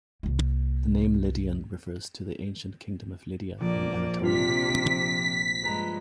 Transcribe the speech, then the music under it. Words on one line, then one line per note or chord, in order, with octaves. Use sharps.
The name Lydian refers to the ancient kingdom of Lydia in Anatolia.
C2 A#3
A#1 A#3 D5
C3 F3 D4 F4 B6
G2 G#3 B4 A#5 B5